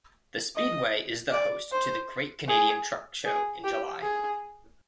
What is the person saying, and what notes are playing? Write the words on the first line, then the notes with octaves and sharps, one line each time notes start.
The Speedway is the host to the Great Canadian Truck Show in July.
D#5
D5
C5
G#4
G#4
G4
G#4